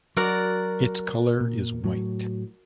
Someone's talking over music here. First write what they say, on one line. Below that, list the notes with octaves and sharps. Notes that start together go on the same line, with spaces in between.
Its color is white.
F#3 F#4 A#4 D5
A#2
A2 F#3